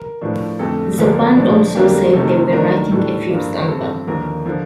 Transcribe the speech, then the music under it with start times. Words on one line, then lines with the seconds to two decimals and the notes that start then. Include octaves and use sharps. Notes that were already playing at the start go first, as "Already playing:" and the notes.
The band also said they were writing a fifth album.
Already playing: A#4
0.21 A2 F3 A3 D4
0.59 F2 D3 A3 A4
0.98 D2 D3 F3 A#3 D4
1.36 A#2 F3 A3 D4
1.75 F2 D3 G3 A#3 D4 G4
2.14 C3 D#3 A3 A4
2.53 D#2 D#3 A3 D4 A#4
2.91 A2 G3 D4 A4
3.30 G2 F3 A#3 D4
3.68 G2 F3 C4 A4
4.07 D#2 D3 F3 A#3 A#4
4.46 D3 F3